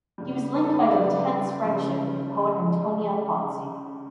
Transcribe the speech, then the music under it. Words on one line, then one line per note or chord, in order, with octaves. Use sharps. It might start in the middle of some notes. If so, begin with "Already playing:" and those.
He was linked by an intense friendship with the poet Antonia Pozzi.
C#3 G3
B4
A4
B4
C#3 G3 D5
C#3 G3